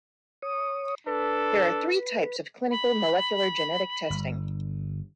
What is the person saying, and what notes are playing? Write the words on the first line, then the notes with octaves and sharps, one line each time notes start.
There are three types of clinical molecular genetic testing.
C#5 D#6
D4 A4 B4
B5
G1